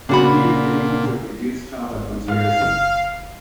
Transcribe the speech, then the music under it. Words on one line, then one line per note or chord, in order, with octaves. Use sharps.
He pleaded guilty to a reduced charge of conspiracy.
A#2 C#3 D4 F#4 B5
G#1
G#2 F5
F#1